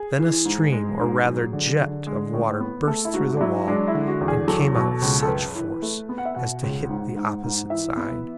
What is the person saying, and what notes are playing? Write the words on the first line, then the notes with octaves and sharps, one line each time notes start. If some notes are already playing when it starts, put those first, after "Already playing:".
Then a stream, or rather jet, of water burst through the wall and came out with such force as to hit the opposite side!
Already playing: G#4
E3
G#2
G#3
G#2
F#3
D3
D3
G#3
A2
B3
A3 A4
E4
G#2 F#4
D4
F#3 E4
G#3 D4
E4
D3
F#4
E2
G#4
F#3 A4
B2
C#2
A4
F#2 B4
E3
A3
B3
F#5
E5
B2 F#5
C#2
G#2
G#2
G#2
E3 E5
B3